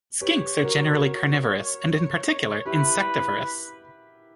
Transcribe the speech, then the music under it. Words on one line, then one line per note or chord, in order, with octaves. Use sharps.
Skinks are generally carnivorous and in particular insectivorous.
G4 B4 C#5
F#4 A#4
E4 G4 B4